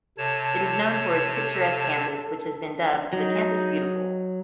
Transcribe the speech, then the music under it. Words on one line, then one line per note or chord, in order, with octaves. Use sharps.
It is known for its picturesque campus which has been dubbed "The Campus Beautiful".
C3 A4 C#5 A5
F#3 D#4